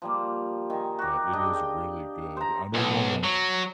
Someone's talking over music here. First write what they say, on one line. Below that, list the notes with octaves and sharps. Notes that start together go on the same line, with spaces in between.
uh, it is really good. I don't wanna
F3 G3 A#3
D#3 G#5
F#4 G4
D4 G4 G#4 D#5
G5
C5 A#5
B1
F#3